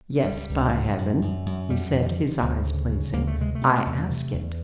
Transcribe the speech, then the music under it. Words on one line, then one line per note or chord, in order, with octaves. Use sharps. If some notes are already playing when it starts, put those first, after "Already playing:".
"Yes, by heaven," he said, his eyes blazing, "I ask it."
C#2 G3
C#2
C3
F#2
F#2
F#2
F2 G3
F2
C3
D2
C#3
C#3
D2 A#3
A3
C3 G#3
A3
C3
E2
C3
E2